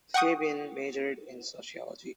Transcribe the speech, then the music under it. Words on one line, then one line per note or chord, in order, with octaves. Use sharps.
Fabian majored in sociology.
F#5 G5 C#6 D#6